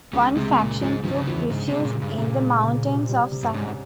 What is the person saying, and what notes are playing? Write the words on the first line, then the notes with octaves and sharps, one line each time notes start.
One faction took refuge in the mountains of Sahel.
C#2 C#3 C#4
C3 G#3 C4
C4
A#2 C#3 A#3
G#2 F3 G#3
G2 F3 G3
C#3
E2 E3 F3
G#2 C#3
C3 G#3
G#2
A#2
C#3
G2
A#2 C#3
G#3
C#3
C3
G3
C3
G2
G#2 C#4